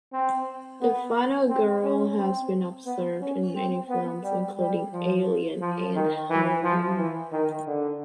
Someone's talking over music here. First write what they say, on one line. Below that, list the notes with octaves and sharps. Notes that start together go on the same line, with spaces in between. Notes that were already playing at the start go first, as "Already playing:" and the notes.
The final girl has been observed in many films including "Alien" and "Halloween".
C4
B3
C4
C#4
C4
B3
C#4
C4
B3
G3
G3
F3
F3
D#3
E3
F3
E3
D#3
D3